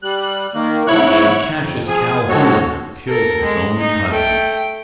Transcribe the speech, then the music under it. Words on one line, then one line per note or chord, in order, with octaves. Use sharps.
Why should Cassius Calhoun have killed his own cousin?
G3 F#6
D#3 A#3
G#2 E4 C#5 C#6 F#6
F2
F3 G#4 G#5
D#3 F3 G#3 F#4 A4 C#5
A4 A#4
G#3
D#4
A3 G5